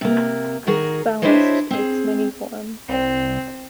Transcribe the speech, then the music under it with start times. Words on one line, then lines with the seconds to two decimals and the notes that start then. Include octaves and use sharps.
Ballast takes many forms.
0.01 C3 A#3
0.67 D#3 F#4 G#4 A#4
1.22 D4 E4 G4 C5 C#5 D#5
1.71 C4 G#4
2.89 C2 C4